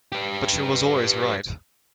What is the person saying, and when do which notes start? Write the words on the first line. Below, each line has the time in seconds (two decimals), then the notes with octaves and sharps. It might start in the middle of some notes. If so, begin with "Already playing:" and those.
But she was always right.
0.12 G4 B4